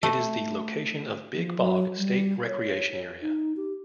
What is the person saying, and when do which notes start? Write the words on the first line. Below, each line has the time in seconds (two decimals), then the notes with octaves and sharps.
It is the location of Big Bog State Recreation Area.
0.03 A3
1.35 F3
1.58 F#3
1.97 G3
2.47 C#5
3.22 D#4
3.57 G4